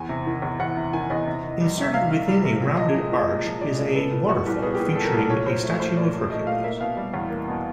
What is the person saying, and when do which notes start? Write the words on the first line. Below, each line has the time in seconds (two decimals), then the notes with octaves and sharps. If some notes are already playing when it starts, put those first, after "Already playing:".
Inserted within a rounded-arch is a waterfall featuring a statue of Hercules.
Already playing: E2 G#5
0.09 C3
0.27 D#3
0.42 E2
0.60 E2 F#5
0.77 C3
0.93 D#3 G#5
1.10 E2 D#5
1.27 C3
1.43 D#3
1.60 G3
1.77 C3
1.83 E5
1.93 C3 F5
2.10 D#3 F5
2.28 G3
2.44 C3
2.61 A#2
2.77 F3 D#5
2.95 G#3
3.11 A#2
3.28 A#2
3.45 F3
3.61 G#3 D5
3.79 A#2 D5
3.95 B3 A4
4.12 A#2
4.28 G3 F#4
4.46 C2 G4
4.62 B3 G#4
4.75 G4
4.79 A#2 G#4
4.95 G3 A4
5.05 A#4
5.13 C2 A4
5.30 A#2 C#5
5.46 F#3 C5
5.63 A3
5.80 A#2 C5
5.96 A#2 D5
6.13 F#3
6.30 A3 D#5
6.47 A#2 F5
6.64 A#3 E5
6.81 B2 F5
6.97 G3
7.14 E2
7.30 A#3
7.48 B2